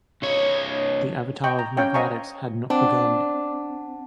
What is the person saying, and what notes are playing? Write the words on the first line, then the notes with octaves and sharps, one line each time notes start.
The avatar of mathematics had not begun.
C2 C#5
D#5 G5 C#6
A#5
C#4 C#5 F5 G5
C5 D#5 F5 G#5 A#5 C#6
C4 D4 F#5 A5